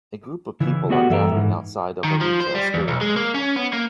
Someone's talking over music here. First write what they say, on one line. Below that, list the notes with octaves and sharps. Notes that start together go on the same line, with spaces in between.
A group of people are gathering outside of a retail store.
C#3 E3 E4
A3 B3 F#4 G4 D5 F#5
G2 E3 A4 E5 G5 A#5
G#2 E3
D#3
F3
C5
G3
E2
B1
G#3
A#3
C#4
B3
A#3